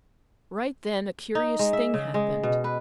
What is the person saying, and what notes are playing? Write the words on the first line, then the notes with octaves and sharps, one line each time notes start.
Right then a curious thing happened.
D#4
G#3
E5
C#3
G#3
B2
B4